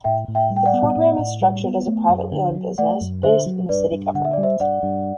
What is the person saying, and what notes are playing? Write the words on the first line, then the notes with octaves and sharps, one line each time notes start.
The program is structured as a privately owned business based in the city government.
A2 E5 G5
A2
E5 G5
G3
G5
D5 F#5
B3
A2
A2
G3
B3
A3
F#2
D3
F#3
A3 D5 F#5
F#2
D3 C5 E5
F#3
G2 B4 D5
G2
D3 F#5
E5
G3 D5
C5 E5
G2 D5 F#5
G2